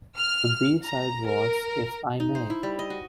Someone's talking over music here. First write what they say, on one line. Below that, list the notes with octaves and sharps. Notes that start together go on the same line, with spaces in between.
The B-side was If I May.
F6
A#5
A#4
D#4
C5
E4
G3
D#5
F#4